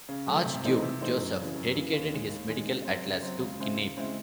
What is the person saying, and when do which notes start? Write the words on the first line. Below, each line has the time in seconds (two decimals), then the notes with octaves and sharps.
Archduke Josef dedicated his medical atlas to Kneipp.
0.09 C#3
0.27 F#3 A3
0.46 C3
0.64 E3 A3 C4 D#4
0.82 C3
1.00 E3 A3 C4 D#4
1.18 F#2
1.38 C#3 E3
1.56 F#2
1.74 C#3 E3
1.93 D#2
2.12 D#3 G#3
2.29 D#2
2.48 D#3 G#3
2.67 C#3
2.85 F#3 C4
3.04 C#3
3.22 F#3 C4
3.40 C#2
3.59 C#3 G#3 C4 E4
3.78 C#2
3.97 C#3 G#3 C4 E4